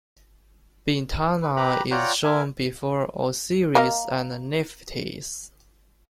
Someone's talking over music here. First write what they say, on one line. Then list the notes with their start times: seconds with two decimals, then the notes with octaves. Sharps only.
Bintanath is shown before Osiris and Nephtys.
1.42 B4
1.57 G4 B4 A#5 B5
1.91 F4 C#5 D5 F#5 G5 A#5
2.24 A#4 E5 G#5
3.75 A#3 D#5 F5